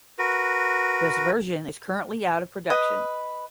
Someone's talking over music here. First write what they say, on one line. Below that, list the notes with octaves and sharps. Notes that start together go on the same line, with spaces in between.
This version is currently out of production.
F#4 A#4 B4
B4 D#5 D#6